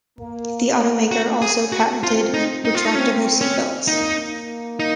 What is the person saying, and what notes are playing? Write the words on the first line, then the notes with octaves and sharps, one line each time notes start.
The automaker also patented retractable seatbelts.
A#3
F#4
G#4
F#4
C4 F4
D#4
D#4
F4
D#4
C4 C#4
C#4
A#3 D#4
D#4